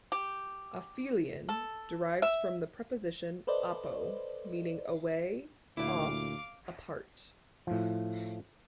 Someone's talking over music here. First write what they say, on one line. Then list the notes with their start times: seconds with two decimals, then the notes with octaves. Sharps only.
"Aphelion" derives from the preposition "apo", meaning "away, off, apart".
0.12 G4
1.49 A4
2.22 E5
3.47 A4 B4 C5 D5 D#5
5.77 D2 A#2 E4 F5 D6
7.67 A2 F3